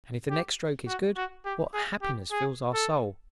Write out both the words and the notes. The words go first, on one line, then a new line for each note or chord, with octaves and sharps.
And if the next stroke is good, what happiness fills our soul.
G4
F#4
F#4
G4
G#4
G4
G#4
A4